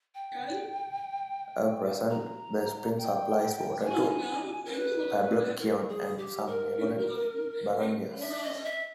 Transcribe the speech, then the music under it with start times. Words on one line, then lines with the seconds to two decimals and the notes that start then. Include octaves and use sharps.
At present, the spring supplies water into Poblacion and some neighboring barangays.
0.15 G5
2.11 A#5
2.98 G5
3.85 G#5
4.65 A#4
4.72 B4
5.60 A#4
5.89 G#4
6.18 G4
6.47 A#4
8.22 E5
8.43 D#5
8.65 E5